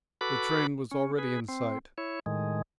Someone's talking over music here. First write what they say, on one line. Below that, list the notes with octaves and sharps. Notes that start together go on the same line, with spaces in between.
The train was already in sight.
F#4 A4 B4 B5 D6
C#4
G#4 B4
C4
E4 C#5
A2 D#3 G#3